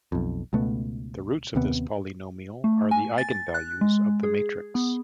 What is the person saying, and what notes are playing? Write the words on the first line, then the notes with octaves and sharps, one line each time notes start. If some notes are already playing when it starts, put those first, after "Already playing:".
The roots of this polynomial are the eigenvalues of the matrix.
B1 F2
C#2 B2 A3 B3
D#2 C3 B3
A3
G#5
A6
F#6
G#3
G#4
B3